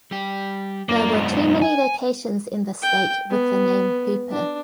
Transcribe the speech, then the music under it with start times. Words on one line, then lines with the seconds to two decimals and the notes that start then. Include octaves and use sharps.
There were too many locations in the state with the name Hooper.
0.11 G3 G4
0.89 F#2 A#3 D4 F4
1.13 B1 G#2
1.62 G#5
2.82 G5
3.30 B3
4.32 D4